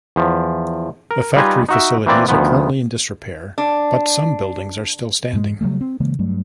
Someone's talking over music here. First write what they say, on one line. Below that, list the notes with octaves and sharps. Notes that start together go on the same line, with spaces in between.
The factory facilities are currently in disrepair, but some buildings are still standing.
E2 F3
A#4
G3 D#4 F4 B4 D#5 G#5
D#4 F#4 E5
E3 A#3 C4 B4 D5
D2 D#3 F3 B3
D4
G#2 G#3
C#3 F#3 G3 A3
C4
C#3 E3 G#3 A#3
G2 F#3 A3